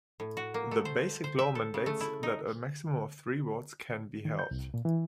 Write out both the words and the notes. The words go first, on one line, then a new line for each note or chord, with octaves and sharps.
The Basic Law mandates that a maximum of three votes can be held.
A2
F#4
A#3
A3
C5
C5
E5
A4
C#3
A3
E4
D#4
D#3
G6
C2
A#2
E3